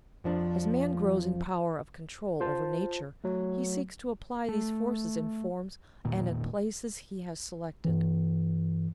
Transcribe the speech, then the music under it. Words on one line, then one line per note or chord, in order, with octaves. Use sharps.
As man grows in power of control over nature, he seeks to apply these forces in forms and at places he has selected.
F2 F3 D4
F4 C5 A5
F#3 A3
A3
E1 A#2 D#3
G2 E3